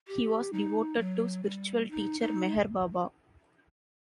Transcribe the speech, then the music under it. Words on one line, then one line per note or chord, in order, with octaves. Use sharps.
He was devoted to spiritual teacher Meher Baba.
G4
D#4
F#3
G3
D#4
D#4